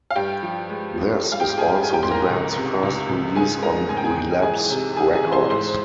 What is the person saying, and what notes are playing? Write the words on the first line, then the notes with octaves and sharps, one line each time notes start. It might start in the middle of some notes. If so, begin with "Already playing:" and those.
This is also the band's first release on Relapse Records.
F5
G2 G4 G5
F3
G#3
F3
G3
F5
G4 G5
G#2
G#4 G#5
G3
G#5
G4 G5
G#2 C6
A#4 A#5
C#2
C3
C#2
C#2
G#2 G#4 G#5
G#2 A#4 A#5
G#2 G#5
G5
G#4 G#5
G#2
E3 G#4 G#5
C3
E3 G#4 G#5
G#4 G#5
E3
C5 C6
G#2 C5 C6